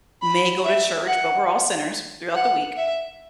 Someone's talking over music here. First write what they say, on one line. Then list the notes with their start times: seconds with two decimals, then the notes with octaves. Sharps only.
may go to church, but we're all sinners throughout the week,
0.22 B5
0.64 E5
1.07 F#5
2.35 F#5
2.77 E5